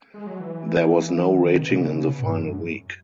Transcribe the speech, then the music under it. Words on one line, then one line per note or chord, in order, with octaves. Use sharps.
There was no rating in the final week.
G#3
F#3
E3
D#3
B2
C#3
B2
G#2
F#2